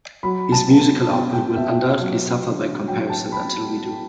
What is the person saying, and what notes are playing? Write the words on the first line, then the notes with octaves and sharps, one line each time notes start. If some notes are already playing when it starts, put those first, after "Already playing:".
His musical output will undoubtedly suffer by comparison until we do.
F#3 B5
A5
B2
A5
B2 G5
G5
B2 E5
F#3
D3
F#3 G5
A5
B5